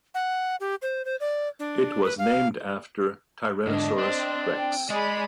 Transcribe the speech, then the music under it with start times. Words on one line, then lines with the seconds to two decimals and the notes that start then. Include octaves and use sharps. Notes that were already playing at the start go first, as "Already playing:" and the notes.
It was named after "Tyrannosaurus rex".
0.14 F#5
0.60 G4
0.82 C5
1.05 C5
1.20 D5
1.59 D4
2.04 B4
2.18 F5
3.67 G#2 D3 D4 D#5
3.98 C4 D4
4.57 G5
4.90 G#3 G#4 D5 D#5 B5